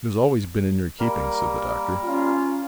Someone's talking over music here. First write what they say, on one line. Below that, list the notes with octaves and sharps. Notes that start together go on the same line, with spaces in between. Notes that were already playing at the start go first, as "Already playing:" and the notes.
"It has always been in your keeping," said the Doctor.
G3 A#3 A#4
C#4 F4